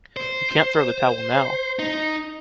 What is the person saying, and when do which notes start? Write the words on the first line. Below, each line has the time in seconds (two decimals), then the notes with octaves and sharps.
You can’t throw the towel now!
0.17 C5
1.79 D#4